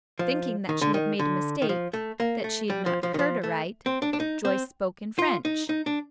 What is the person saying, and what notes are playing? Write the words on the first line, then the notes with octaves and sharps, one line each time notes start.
Thinking that she had made a mistake, that she had not heard aright, Joyce spoke in French.
F3
D#3
D3
D#3
D3
D#3
F3
A3
A#3
A3
G3
F3
F3
D#3
F3
A3
C4
D4
D4
D#4
C4
F4
D#4
D#4
D4